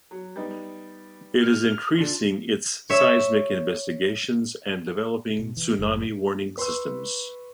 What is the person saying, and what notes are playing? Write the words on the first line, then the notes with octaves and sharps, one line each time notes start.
It is increasing its seismic investigations and developing tsunami warning systems.
F#3
G3 B3 D#4
F6
D3 D4 F4 A4
C#5 E5
B2
E3
F#1
B4 C6 C#6 E6